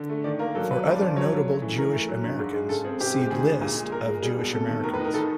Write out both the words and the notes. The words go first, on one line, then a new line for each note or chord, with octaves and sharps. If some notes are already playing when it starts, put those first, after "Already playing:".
For other notable Jewish Americans, see List of Jewish Americans.
Already playing: D3
A3
D#3 D5
A#3 A#4
F#3 A4
F#3 B4
F3 C5
D5
C#2
F#3 C#5
C#3
A3
E3
A3 A#4
A3
F#3
G2
G#2
G#3
C#3 A4
C4 G#4
C3 G4
G#3
G4
D2 G#4
G#3
A#2
G#3
G#3 A#4
G#3
G3 G#4
B2
C3 A4
D#3
A2 A#4
B4
D#4
A#4
D#3 A4